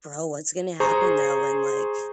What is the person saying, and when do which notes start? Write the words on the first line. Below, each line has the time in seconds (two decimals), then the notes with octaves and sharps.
Bro, what's gonna happen though when, like
0.80 G#4 C5 A#5 C#6